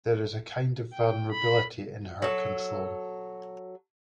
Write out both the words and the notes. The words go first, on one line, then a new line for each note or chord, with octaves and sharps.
There is a kind of vulnerability in her control.
G5
B5
F#3 A4